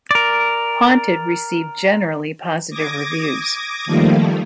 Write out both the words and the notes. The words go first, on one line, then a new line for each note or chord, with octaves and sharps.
"Haunted" received generally positive reviews.
A#4 D5
D6 D#6 G#6 A#6
D#3 F3 G3 A3 A#3